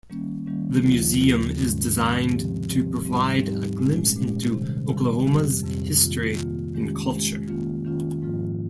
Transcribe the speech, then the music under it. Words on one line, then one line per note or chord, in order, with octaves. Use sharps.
The museum is designed to provide a glimpse into Oklahoma's history and culture.
D#3 G3 A#3 C#4
D#3 G3 A#3 C#4
D#2 C#3 F3 A#3 F4
D#2 C#3 F3 A#3 F4
G#2 D#3 G#3 C#4
G#2 D#3 G#3 C#4
C3 F3 C4 G4
C3 F3 C4 G4
G#2 G3 C4 D#4 G4
G#2 G3 C4 D#4 G4
A#2 G#3 C#4 G4
A#2 G#3 C#4 G4
C3 D#3 G3
C3 D#3 G3
F2 C3 G3 C4 G4
F2 C3 G3 C4 G4
C3 D#3 A#3 F4
C3 D#3 A#3 F4
D#3 G#3 C#4 G4
D#3 G#3 C#4 G4
D#3 A#3 C#4 F4
D#3 A#3 C#4 F4
G#2 F3 A#3 F4